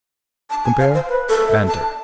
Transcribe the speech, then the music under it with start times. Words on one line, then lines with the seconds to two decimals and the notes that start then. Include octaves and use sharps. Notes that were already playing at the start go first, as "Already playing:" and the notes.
Compare BANTER.
0.50 A5
0.64 G#5
0.80 F5
0.94 C5
1.09 B4
1.29 A4
1.48 E5
1.68 A5